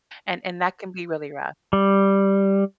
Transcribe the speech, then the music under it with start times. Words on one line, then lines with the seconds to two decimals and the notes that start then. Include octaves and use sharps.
and and that can be really rough.
1.73 G3